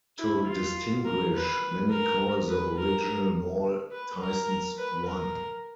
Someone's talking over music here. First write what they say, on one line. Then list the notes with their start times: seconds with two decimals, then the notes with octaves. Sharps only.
To distinguish, many call the original mall Tysons One.
0.19 E4
0.47 F4
1.05 A#4
1.34 B4
1.91 A#4
2.48 B4
2.76 A#4
3.92 B4
4.20 A#4
4.78 B4
5.06 A#4